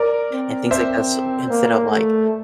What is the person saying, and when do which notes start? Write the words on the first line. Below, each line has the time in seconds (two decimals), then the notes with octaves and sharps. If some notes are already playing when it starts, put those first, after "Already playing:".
and things like that, so instead of, like
Already playing: A#4 D5
0.32 C4
0.71 C4 C5 E5
1.49 A#3
1.88 A3